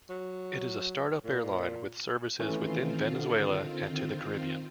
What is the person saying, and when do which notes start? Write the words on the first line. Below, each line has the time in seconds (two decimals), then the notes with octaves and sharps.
It is a start-up airline with services within Venezuela and to the Caribbean.
0.10 F#3
1.24 A#2
2.40 D#3 E3 A3 C4 C#4 F4
3.13 D3